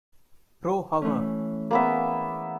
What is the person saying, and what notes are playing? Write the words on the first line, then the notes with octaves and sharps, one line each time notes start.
Pro Hour.
E3 A3 C#4
A#3 B3 G#4 E5